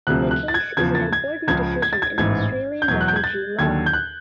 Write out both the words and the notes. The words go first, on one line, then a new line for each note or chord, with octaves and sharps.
The case is an important decision in Australian refugee law.
D2 C3 F3 F#6
F#6
A6
G#6
E2 C#3 F3 G#6
A6
G#6
C#2 C#3 F3 G#6
G#6
A6
G#6
A1 G#2 E3 G#6
G6
E2 B2 F#3 G#6
F#6
G6
G#6
A6
D#2 D3 F#3 G#6
G6
F#6